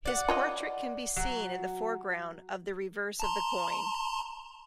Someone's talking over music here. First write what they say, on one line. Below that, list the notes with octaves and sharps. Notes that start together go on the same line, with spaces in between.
His portrait can be seen in the foreground of the reverse of the coin.
D5 F#5
F4 C#5 D#5
F#3
A5 A#5 C6